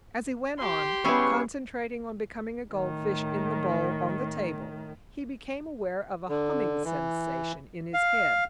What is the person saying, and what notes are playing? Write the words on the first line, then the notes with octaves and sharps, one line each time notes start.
As he went on, concentrating on becoming a goldfish in the bowl on the table, he became aware of a humming sensation in his head.
G4 C6
G3 B3 C#4 E4 G#4 C#6
A2 D#3
D3
E3
F5